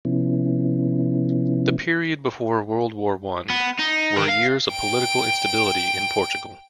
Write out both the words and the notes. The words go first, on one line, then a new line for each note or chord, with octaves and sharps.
The period before World War One, were years of political instability in Portugal.
C3 F3 B3 C#4 E4
B3
D#4
A#4 G5
F5
G5 D7